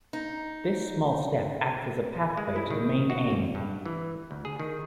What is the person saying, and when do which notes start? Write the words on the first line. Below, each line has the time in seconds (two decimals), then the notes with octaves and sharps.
This small step acts as a path way to the main aim.
0.13 D#4
2.37 G#3
2.56 E4
2.70 D#3
3.10 F#4
3.30 E2
3.55 G2
3.86 E3
4.31 D2
4.45 G#4
4.60 D#3